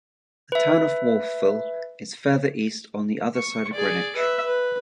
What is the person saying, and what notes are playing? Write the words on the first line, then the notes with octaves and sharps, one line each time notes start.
The town of Wolfville is further east on the other side of Greenwich.
B4 E5
C#6
G#4 D5
B4 E5
B4